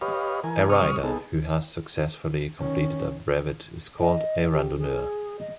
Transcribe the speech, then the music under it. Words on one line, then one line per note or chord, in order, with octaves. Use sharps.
A rider who has successfully completed a brevet is called a randonneur.
G4 B4 C#5 D#5 F5
E3 A#4 G#5
C3 G3 C#6 D#6 F6
B3 D#4 G#4 A4
D#3 C#4
D#5
G4
G#4
D#5